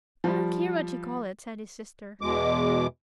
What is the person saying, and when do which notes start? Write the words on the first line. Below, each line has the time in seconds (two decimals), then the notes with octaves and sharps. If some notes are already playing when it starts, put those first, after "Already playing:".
"I don't care what you call it," said his sister.
0.24 F3 G3
2.21 E2 B2 G#3 D6